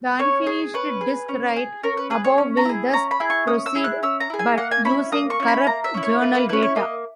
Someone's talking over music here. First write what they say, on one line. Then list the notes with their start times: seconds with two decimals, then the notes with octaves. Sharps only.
The unfinished disk write above will thus proceed, but using corrupt journal data.
0.19 C#4 C#5
0.47 G#4
0.74 C#4 B4
1.01 G#4
1.29 C#4
1.56 G#4
1.83 C#4 A#4
1.97 B4
2.10 G#4 B4
2.24 C#5
2.38 C#4
2.57 A#5
2.65 E4 G#4
2.93 C#4 A#5
3.11 B5
3.20 E4 G#4
3.30 C#6
3.47 C#4 D#6
3.66 E6
3.75 E4 G#4
3.84 F#6
4.03 C#4 E6
4.20 A#5
4.30 E4 G#4
4.39 G#5
4.57 A#3 F#5
4.71 G#5
4.85 C#4 E4 B5
5.12 A#3 D#6
5.30 C#6
5.40 C#4 E4
5.48 B5
5.67 A#3 A#5
5.84 E5
5.94 C#4 E4
6.03 C#5
6.21 A#3 B4
6.35 B4
6.49 C#4 E4 B4
6.62 C#5
6.76 A#3 D#5